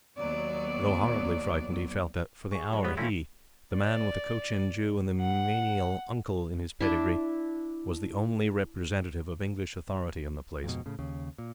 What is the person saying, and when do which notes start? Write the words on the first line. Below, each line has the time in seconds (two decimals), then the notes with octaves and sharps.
Though horribly frightened, he felt that, for the hour, he, the man with the Cochin Jew and the menial uncle in his pedigree, was the only representative of English authority in the place.
0.16 D#2 F#3 B3 D5
2.51 G#4 C#6
2.73 F#3 G#3 C#5
2.84 A#2 G3 B3 G#4
2.97 F1 E3 A3 C4 C#4 E4 F5
3.75 D5
5.21 F#5
6.81 D4 E4
10.64 F2 G#2 B2
10.86 A2 C#3
10.99 D#2 C#3
11.38 A#2